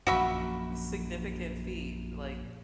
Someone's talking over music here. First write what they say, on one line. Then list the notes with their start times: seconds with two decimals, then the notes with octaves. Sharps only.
significant feat, like,
0.07 A#1 F#2 F#4 E5 B5